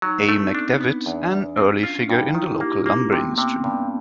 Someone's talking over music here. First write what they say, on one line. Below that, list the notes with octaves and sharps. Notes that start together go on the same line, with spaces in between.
A. McDavitt, an early figure in the local lumber industry.
F#3 D#4
D4
A3
C4
B3 D4
C4
B3
E2 D4
E2
C4
C#4 F4
D4
G2 D#4
E4
D#3 F4
F#4
A#3 G4
D4
A#3 C#4
B3
C3 A#3
B3
C3 C4
C#4
G2